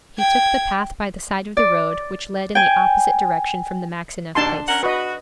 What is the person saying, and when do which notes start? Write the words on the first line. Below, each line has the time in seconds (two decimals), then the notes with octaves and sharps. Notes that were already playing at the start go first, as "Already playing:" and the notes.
He took the path by the side of the road which led in the opposite direction from the Maxineff place.
0.18 G5 G#6
1.57 D5
2.55 G5 G#5
4.35 D#2 B2 D4 A5 C6
4.67 C#4 A#4 F#5
4.83 F#4 B4 D#5